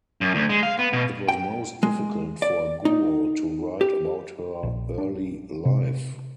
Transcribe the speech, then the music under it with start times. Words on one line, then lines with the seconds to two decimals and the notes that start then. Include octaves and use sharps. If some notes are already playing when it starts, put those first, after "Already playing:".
It was most difficult for Guo to write about her early life.
0.21 F#2
0.35 D2
0.49 G#3
0.63 F5
0.79 B3
0.93 B2
1.29 G5
1.83 G#3
2.42 D5
2.85 D#4
3.81 G4
4.63 A#1
4.98 D4
5.65 C3